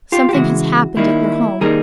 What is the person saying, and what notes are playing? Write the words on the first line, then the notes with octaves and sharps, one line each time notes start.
Something has happened at your home.
F4 G4
G4
C#3 E3 G#3 E4 F#4
D#3 G3 A#3 D#4 E4
D#3 G3 A#3 D#4 G#4 A#4